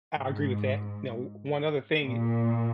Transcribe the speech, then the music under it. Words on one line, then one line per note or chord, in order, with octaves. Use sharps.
I agree with that. Now, o one other thing,
G#2
A#2